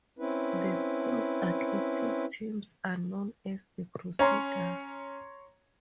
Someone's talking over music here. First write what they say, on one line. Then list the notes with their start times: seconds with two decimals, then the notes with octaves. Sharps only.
The school's athletic teams are known as the Crusaders.
0.19 C4 C#4 E4 B4
4.19 C#4 C#5 A#5 C6